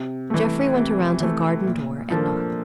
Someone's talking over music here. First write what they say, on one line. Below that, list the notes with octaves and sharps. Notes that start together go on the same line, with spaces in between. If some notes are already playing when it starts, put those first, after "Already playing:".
Jeffrey went around to the garden door and knocked.
Already playing: C3
E3 A3
C3
E3 A3
A#2
F3 A#3 D4 A4